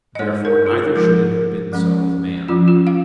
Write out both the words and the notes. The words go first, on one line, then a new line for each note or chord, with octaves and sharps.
Therefore neither should it have been so with man.
D#5
G#3 D#4 C#5
A#4
D#4
F4
F3 G#3 D#4 A#4
F3 G#3 C#4
F3 C#4 F4
F4
F5